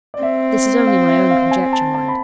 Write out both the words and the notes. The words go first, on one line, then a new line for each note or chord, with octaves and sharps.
This is only my own conjecture, mind.
D5
C4 E5
F5
E5
F5
G#5
A5
A5
B5